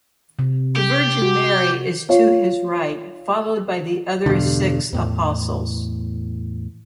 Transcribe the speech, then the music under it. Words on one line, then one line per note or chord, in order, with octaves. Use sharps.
The Virgin Mary is to his right followed by the other six apostles.
C3
G4
F#4
F4 C#5
E2 G2 B2 D3
E2 A2